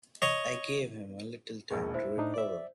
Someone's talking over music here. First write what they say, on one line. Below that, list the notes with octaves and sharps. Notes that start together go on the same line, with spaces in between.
I gave him a little time to recover.
C#5 D#5
E1 A#1 D#2 G#4
E4 C5
A2 D4 D#4
D5 E5